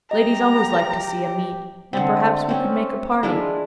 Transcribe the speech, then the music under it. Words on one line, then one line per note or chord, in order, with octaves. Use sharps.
Ladies always like to see a meet, and perhaps we could make a party.
G4 D#5 A#5
D3 C4
C4 C#4
G#3 D4 E4 F4